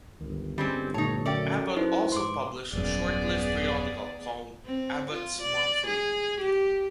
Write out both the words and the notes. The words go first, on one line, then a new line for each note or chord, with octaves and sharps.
Abbott also published a short-lived periodical called "Abbott's Monthly".
G1 C#2 D#3
G3 G#3 C4 C#4
A#2 D3 A3 D#4 C#5 A5
F#2 C#4 A4 D5 E5 G5
D#4 E4 B4 C5
G#2 C6 D6
D#1 F#2 B3 G#4 D5
C4
F4
D5
G#4
G4